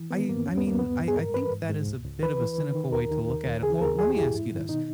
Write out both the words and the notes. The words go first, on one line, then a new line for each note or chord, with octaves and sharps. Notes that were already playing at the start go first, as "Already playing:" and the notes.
I I mean, I I think that is a bit of a cynical way to look at it. Well, let me ask you this.
Already playing: E3
D#3 B3
G2 A#3
D#2 C#4
B3
D#2 A#3
G2 B3
G2
G#4
G#2 A#4
E3 B4
G#2
G#2
C#2
C#2
E3 B4
E3
D#3
D#3
D#2 A#4
D#3
D#2
D#2
C#3 G#4
D#2 A#4
E3 G#4
G4
G2 E4
G#2
D#3
B2 D#4